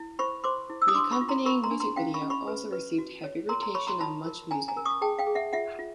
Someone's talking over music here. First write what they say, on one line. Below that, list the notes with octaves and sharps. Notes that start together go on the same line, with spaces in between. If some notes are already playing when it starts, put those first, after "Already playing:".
The accompanying music video also received heavy rotation on MuchMusic.
Already playing: E4
C5 B5 C#6
C5 C6 D6
E4
E6
D#6
D4 C6 D6
B5 C#6
F4
A#5 C6
A#4 B5 C#6
A#5 C6
D4
A#5 C6
C#4 F5 G5
B5 C#6
C#4
B5 C#6
B4
B4
F#4
C#5
A#4 A#5 C6
A#5 C6
C#5 B5 C#6
A#5 C6
F4 A5 B5
A#4
C#4 G#5 A#5
G#5 A#5
A#4
C#6 D#6
G#4 G5 A5
F5 G5
G#4
E5 F#5
F4 E5 F#5
F4